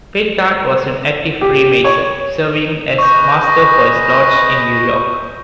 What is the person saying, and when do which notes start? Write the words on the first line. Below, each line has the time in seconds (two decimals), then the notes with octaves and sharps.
Pintard was an active Freemason, serving as Master for his Lodge in New York.
1.41 G4
1.85 C#5
2.99 G#4 B4 D#5 C#6 G6